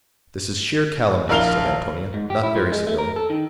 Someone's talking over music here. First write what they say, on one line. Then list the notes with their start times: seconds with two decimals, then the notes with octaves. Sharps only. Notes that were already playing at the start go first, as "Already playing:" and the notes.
"This is sheer calumny," said Antonia, not very severely.
1.29 A#1 E4 A#4 F5 F7 G7
2.14 G#2
2.30 G4
2.43 E4
2.56 F3
2.72 G#3
2.87 A3
2.98 A#4
3.16 A4
3.30 D#3